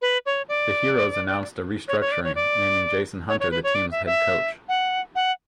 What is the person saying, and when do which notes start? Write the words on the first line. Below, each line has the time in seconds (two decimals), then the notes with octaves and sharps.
The Heroes announced a restructuring, naming Jason Hunter the team's head coach.
0.02 B4
0.26 C#5
0.49 D5
1.88 C#5
2.01 C#5
2.12 D5
2.24 C#5
2.35 D5
3.29 C#5
3.40 C#5
3.51 B4
3.64 C#5
3.75 D5
3.91 E5
4.06 E5
4.69 F#5
5.15 F#5